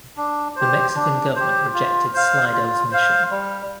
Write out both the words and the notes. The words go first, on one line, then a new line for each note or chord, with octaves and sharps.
The Mexican government rejected Slidell's mission.
D4
G4 C5
D4
G4 C5
F4
C5 F5
F4
C5 F5
G3